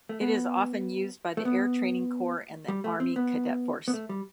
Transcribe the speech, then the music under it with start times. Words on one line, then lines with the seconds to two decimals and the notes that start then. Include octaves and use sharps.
It is often used by the Air Training Corps and the Army Cadet Force.
0.09 A3
0.21 B3
1.37 A3
1.45 B3
2.68 G3
2.84 A3
3.00 C4
3.16 B3
3.88 B3
3.93 A3
4.09 G3